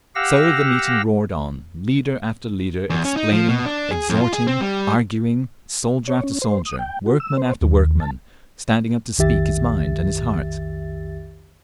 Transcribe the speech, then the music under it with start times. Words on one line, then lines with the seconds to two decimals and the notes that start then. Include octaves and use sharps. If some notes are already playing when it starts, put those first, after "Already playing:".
So the meeting roared on, leader after leader explaining, exhorting, arguing, soldier after soldier, workman after workman, standing up to speak his mind and his heart....
0.15 G4 F5 F#5 E6 A#6
2.90 E2
3.05 C#4
3.17 D#4
3.32 F3
3.48 B2
3.65 D4
3.91 G#4
4.10 F2
4.21 F4
4.34 G#4
4.47 C4
4.61 G3
6.07 C#5
6.24 C#4
6.42 C5
6.65 D#6
6.79 G5
7.06 F#4
7.20 E6
7.37 C5
7.61 D#2
8.00 A5
9.18 B1 F2 D#3 G4 E5 A6